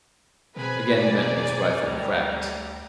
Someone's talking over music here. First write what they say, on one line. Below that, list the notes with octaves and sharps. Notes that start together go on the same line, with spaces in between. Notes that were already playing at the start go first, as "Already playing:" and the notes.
Again Ventnor's rifle cracked.
B2 C4 G#4 A#4 B4 G#5 B5
D5 G#5
D2 G3 A3 A#5